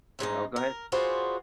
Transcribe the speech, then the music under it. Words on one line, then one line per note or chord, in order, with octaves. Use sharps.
no, go head.
E2 G#2 G#3 D#4
A#4
F4 F#4 G#4 B4 C5 D5